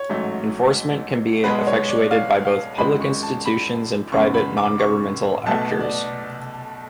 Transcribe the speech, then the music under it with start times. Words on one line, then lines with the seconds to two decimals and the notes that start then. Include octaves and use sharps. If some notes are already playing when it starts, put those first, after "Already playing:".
Enforcement can be effectuated by both public institutions and private, non-governmental actors.
Already playing: C#5
0.09 A1 G#2 F#3 A3
1.43 B1 B2 G#3 B3 B4
1.67 C#5
1.89 D5
2.11 F5
2.45 F5
2.78 G#1 F#2 F3 G#3 B5
3.01 C#6
3.23 A5
3.46 B5
4.12 F#2 C#3 G#3 B3 C#6
4.34 B5
4.57 D6
4.79 C#6
5.46 B1 B2 A3 A5
5.80 D5